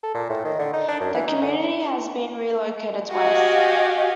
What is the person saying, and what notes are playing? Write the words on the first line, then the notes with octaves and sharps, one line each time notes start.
The community has been relocated twice.
A4
A#2
A2
D#3
D3
D#4
D4
F#2
E3
D#4
D3
F#4 G4 D#5 F5 G#5